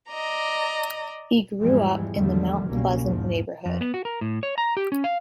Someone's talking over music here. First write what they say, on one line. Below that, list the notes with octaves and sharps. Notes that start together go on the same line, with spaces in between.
He grew up in the Mount Pleasant neighbourhood.
D5 D#5 A#5
E2 G#2 E3 F3 G3 G#3
E2 D3 D#3 F3 G3 A3
F#1 C2 B2 G3 A#3 C#4
E2 G#2 F3
F2
B3
F#4
A#4
A2
C#5
A#5
G4
C#4
F5